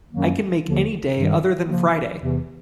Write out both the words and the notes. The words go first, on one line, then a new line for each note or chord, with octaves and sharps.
I can make any day other than Friday.
F#2 D#3 F#3 A#3
D#2 D3 F3
G2 D#3 G3
C#3 F3 A#3
E2 C3 E3